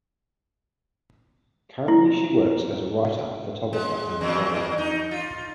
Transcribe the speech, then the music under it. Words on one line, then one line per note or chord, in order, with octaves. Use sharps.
Currently she works as a writer, photographer, and blogger.
E4
G#3
E2
D#4
F4